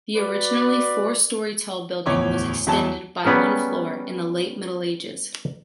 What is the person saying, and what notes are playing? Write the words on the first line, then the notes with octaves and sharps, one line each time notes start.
The originally four-story tall building was extended by one floor in the Late Middle Ages.
F#4 B4 D5
D1 E2 C#5 D6
E2 F#3 A5
G3 B3 C#4 G#4 A#4